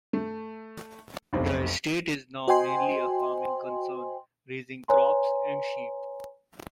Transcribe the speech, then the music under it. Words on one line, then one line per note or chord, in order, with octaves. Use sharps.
The estate is now mainly a farming concern, raising crops and sheep.
A3
F1 B1 C4
F#4 C5 D#5 G5 G#5 C6
B4 C#5 G#5 A#5 C6